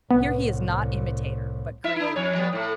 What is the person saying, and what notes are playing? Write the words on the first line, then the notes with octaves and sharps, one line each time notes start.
Here he is not imitator, but creator.
C2 A2 B3
E4 E5
D4 E4
F2 C#5
F3 G3 B3
A2 A3